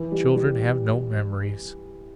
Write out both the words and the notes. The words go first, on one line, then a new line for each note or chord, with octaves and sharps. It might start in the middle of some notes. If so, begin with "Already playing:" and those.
Children have no memories.
Already playing: E3
G3
G3